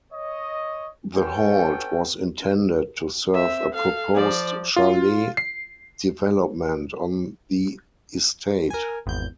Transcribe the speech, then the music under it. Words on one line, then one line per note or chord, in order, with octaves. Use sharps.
The halt was intended to serve a proposed chalet development on the estate.
C#5 D#5
B3 C#4 A4 G5
C4 E5
A4 F5
F3 D5
F4
C7
A#4 G#5
G#1 E2 G6